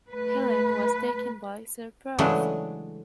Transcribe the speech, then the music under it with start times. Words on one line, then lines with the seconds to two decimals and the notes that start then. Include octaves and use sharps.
Helene was taken by surprise.
0.12 A3 B4
2.18 C#3 E3 F#3 G#3 A3 D4